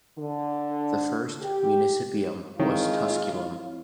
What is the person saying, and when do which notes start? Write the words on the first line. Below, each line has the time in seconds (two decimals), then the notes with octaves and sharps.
The first "municipium" was Tusculum.
0.19 D3
1.42 G4
2.60 D#3 G#3 C4 E4 F4 C#5